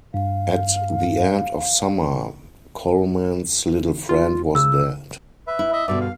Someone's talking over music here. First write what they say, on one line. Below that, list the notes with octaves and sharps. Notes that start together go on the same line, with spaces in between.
At the end of summer, Colman's little friend was dead.
G2 F5
F4
C#3 E6
B4 E5
E4
D#5 E5
G2 B2 D3 D5 E5
F5